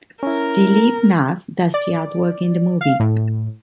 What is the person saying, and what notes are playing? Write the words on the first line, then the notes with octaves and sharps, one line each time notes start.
Dileep Nath does the art work in the movie.
C#4 E4 A#4
D5
F5
A2